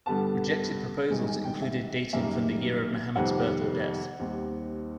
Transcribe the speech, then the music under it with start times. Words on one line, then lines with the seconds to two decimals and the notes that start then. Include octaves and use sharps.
Rejected proposals included dating from the year of Muhammad's birth or death.
0.06 G2 D3 G3 B3 A5
1.10 G#1 G2 D#3 G3 G#5
1.27 G#5
1.44 G5
1.62 E5
2.13 F#1 F#2 D#3 G3 A#3 E5
3.16 F2 C3 D#3 G3 B3 F#5
4.19 D#2 D#3 G3 C4